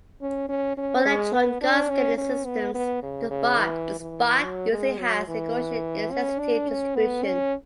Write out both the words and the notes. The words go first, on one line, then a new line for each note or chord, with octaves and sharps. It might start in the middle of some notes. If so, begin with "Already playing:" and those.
For electron gun scanning systems, the spot usually has a Gaussian intensity distribution.
C#4
C#4
C#4
G#3
B3
D4
C#4
C#4
B3
B3
C#3
C#3
E3
E3
F#3
G#3
F#3
E3
C#4
D4
C#4
B3
C#4